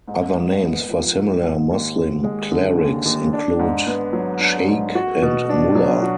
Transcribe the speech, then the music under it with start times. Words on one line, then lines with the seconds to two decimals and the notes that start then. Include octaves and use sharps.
Other names for similar Muslim clerics include sheikh and mullah.
0.08 G#2
0.35 G#2
0.62 B3
0.89 F3
1.16 G#2
1.43 G#2
1.71 D#2
1.98 D#2
2.23 G#3
2.51 D3
2.78 D#2
3.05 D#2
3.33 D4
3.59 G#2
3.86 B3
4.13 F#3
4.40 D4
4.68 G#2
4.95 F#4
5.22 B2
5.49 D4
5.75 F#3
6.02 F#4